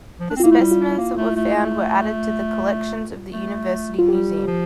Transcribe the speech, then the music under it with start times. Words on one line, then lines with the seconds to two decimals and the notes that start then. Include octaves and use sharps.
The specimens that were found were added to the collections of the University museum.
0.20 F3
0.30 D4
0.36 C4
0.40 F4
0.44 A#3 E4
0.51 A3
0.59 G3
0.71 F4
0.90 E4
0.98 A#3 F4
1.17 A3
1.36 A3
1.56 A3
3.30 A3
3.99 F4
4.08 G3 G4
4.47 F3